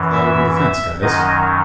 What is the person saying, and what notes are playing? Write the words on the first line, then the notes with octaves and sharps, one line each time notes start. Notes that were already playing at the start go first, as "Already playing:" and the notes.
Fly over the fence guys!
Already playing: F#2 E3
E5
E5
F#2 D#3 F#3 D#5